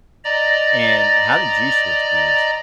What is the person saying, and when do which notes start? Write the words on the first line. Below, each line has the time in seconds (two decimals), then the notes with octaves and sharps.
and how did you switch gears?
0.25 D5 D#5 A#5